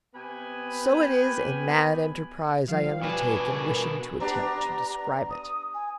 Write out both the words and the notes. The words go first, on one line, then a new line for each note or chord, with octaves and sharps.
So it is a mad enterprise I undertake in wishing to attempt to describe it.
C3 B3 B4 G#5
F3 G3 F5
B2 D4 B4 G#5
G3 A#4
B3 D4 G4 A#5
D#6
G#5